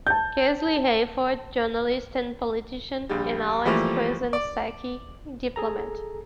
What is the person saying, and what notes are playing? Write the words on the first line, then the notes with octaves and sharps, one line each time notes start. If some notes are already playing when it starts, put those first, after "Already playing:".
Casely Hayford, journalist and politician; and Alex Quaison-Sackey, diplomat.
A5 G6
A#1 G3
E3 F3 G3 A3 A#3
D5
G#4 A4 A#5